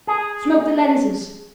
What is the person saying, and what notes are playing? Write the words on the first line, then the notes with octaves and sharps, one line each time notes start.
Smoke the lenses.
G#4